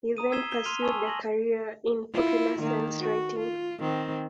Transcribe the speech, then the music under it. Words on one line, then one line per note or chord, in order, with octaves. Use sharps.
He then pursued a career in popular science writing.
A#5 D#6 D#7
E6 G#6 B6 C7 E7 G7
G7
C6 F6 D#7 F7 G7
G#5 A5 C6 C#6 D#6 E6
A#6 F#7
E4 F4
D#3 A#3
F#4
F4
D#3 C4